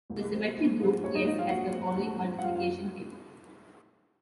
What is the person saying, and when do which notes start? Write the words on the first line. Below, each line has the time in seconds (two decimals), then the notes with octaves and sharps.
The symmetric group S has the following multiplication table.
0.10 C2
0.34 C3 F#3 C4
0.57 A#1
0.80 G#2 F3 C4
1.04 A#1 C#5
1.15 D#4 D#5
1.27 G#2 F3 C4 D#4 D#5
1.38 F4 F5
1.50 A#1 F#4 F#5
1.74 G#2 F3 C4
1.97 A#1
2.20 G#2 F3 C4
2.39 F#5
2.44 F#1 F4 F5
2.55 F4 F5